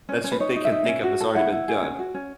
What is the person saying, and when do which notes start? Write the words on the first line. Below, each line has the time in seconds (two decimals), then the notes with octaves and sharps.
that you think of think of has already been done.
0.09 C#4
0.24 C#4
0.32 B4
0.40 D#4 C#5
0.56 D#4
0.65 E5
0.72 D#4
0.88 C#4
1.03 F#4
1.21 A4
1.35 E4 F#5
1.52 E4
1.68 G#4
1.83 C#4
1.99 F#4
2.14 C#4